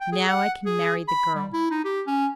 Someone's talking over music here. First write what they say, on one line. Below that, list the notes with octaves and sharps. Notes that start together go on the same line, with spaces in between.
"Now I can marry the girl."
G5
G#4
F#5
G#4
B5
G3
E4
D#4
G4
C#4